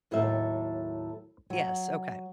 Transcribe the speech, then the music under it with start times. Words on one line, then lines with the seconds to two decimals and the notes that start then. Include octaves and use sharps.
Yes, okay.
0.11 D#2 A2 F#3 A4 E5
1.50 F#3